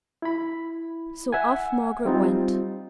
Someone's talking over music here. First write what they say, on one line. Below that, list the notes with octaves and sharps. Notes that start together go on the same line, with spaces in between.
So off Margaret went.
E4 B5
E5 F#5 G#5
G3 C4 D#4 F4